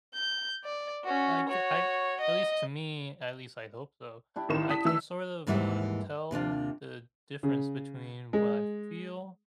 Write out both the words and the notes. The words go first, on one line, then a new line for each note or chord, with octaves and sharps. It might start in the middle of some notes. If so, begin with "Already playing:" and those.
I c I at least to me at least I hope so, I can sort of, uh, tell the difference between what I feel,
G6
D5
C#4 F#4
F#4 C#5
D#5
D4 E4 G4
A1 D#3 E7
D4 G4 D#6 B6
E3 E6
D#2 G#2 E3 G3 E5 F#5
D#2 C3 D4 F4
C#3
G#3